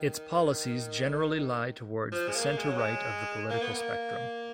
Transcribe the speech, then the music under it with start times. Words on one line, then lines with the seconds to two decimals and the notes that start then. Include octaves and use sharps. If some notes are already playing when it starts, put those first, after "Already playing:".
Its policies generally lie towards the centre-right of the political spectrum.
Already playing: D#3
2.12 F3
2.28 G#3
2.35 A#3
2.58 G#3
2.68 F#3
2.78 G#3
3.50 A#3
3.62 B3
3.73 A#3